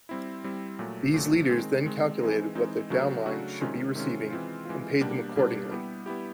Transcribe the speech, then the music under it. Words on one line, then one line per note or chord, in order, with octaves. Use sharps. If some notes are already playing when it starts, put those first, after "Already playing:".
These leaders then calculated what their downlines should be receiving and paid them accordingly.
G3 C4 E4
G3 C4 E4
A#2 F#3 A3
A#2 F#3 A3
D#3 G#3 C4
D#3 G#3 C4
E3 G#3 C4 D#4
E3 G#3 C4 D#4
C#3 F#3 A3 D4 F#4
C#3 F#3 A3 D4 F#4
C3 D#3 G#3 C#4 F4
C3 D#3 G#3 C#4 F4
E3 G#3 C4 F4
E3 G#3 C4 F4
B2 G3 A#3 D4 G4
B2 G3 A#3 D4 G4
G3 B3 E4 G4
G3 B3 E4 G4